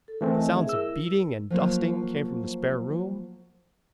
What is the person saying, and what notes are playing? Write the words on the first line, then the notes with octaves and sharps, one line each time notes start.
Sounds of beating and dusting came from the spare room.
A4
E3 A3 C4 A#4 G#5 A5
D#5 A5
G#4 E5
E4 A#4 E6
F3 F#3 A#3 F4